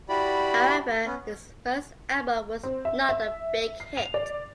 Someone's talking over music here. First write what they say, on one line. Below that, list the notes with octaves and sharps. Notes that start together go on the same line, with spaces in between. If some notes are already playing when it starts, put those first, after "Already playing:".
However, his first album was not a big hit.
E4 F#4 G4 D5 B5
B3 C#4
C4
E5
E5
C7
F7
D5